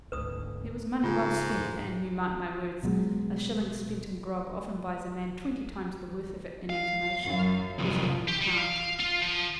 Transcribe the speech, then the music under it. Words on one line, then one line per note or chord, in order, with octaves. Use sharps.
It was money well spent, and, you mark my words, a shilling spent in grog often buys a man twenty times the worth of it in information, let alone a pound.
D1 G#1 D2 B4 D#6
G#2 C#3 A#3 F4
E2 A2
B2 F#3 G#3
F5
F#2
C2 F2
G4
G3
F5
F4
F3